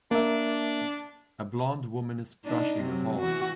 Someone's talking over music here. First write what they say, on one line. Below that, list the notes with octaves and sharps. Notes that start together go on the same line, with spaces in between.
A blond woman is brushing a horse.
A#3 D4 E5
D4 D#4
C3 F#3
E3 F#4